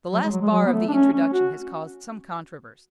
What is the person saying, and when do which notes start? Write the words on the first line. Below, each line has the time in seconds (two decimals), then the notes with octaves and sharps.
The last bar of the introduction has caused some controversy.
0.13 F#3
0.23 G#3
0.32 F#3
0.42 G#3
0.51 F#3
0.66 B3
0.73 A3
0.89 D4
0.93 C#4
1.13 C#4
1.33 F#4